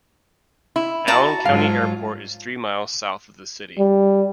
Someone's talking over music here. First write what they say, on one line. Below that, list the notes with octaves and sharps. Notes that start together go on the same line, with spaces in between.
Allen County Airport is three miles south of the city.
E4
F#4 D5 A5 A#5
G#2 F#3 F4 F5
G3